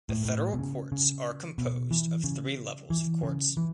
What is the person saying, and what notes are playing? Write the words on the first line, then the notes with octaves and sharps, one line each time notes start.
The federal courts are composed of three levels of courts.
A2
A2
B2
C#3
C#3
B2
E3
C#3
E3
C#3
E3